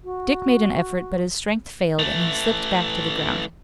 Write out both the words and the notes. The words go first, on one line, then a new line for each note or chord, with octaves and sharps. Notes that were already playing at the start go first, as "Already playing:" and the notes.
Dick made an effort, but his strength failed and he slipped back to the ground.
F#4
E3 A3